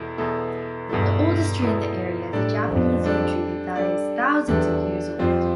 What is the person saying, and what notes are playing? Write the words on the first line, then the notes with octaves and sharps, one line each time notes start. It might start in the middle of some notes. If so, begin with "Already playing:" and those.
The oldest tree in the area is a Japanese yew tree that is thousands of years old.
Already playing: E2 B2 B3 E4 A4
E2 B2 B3 E4 A4
E2 G2 B2 B3 E4 A4
E2 B2 B3 E4 A4
A2 G3 D4 A4 D5
F2
G3 D4 A4 D5
G3 D4 A4 D5
E2 G3 D4 A4 D5
F2 G3 C4 F4 C5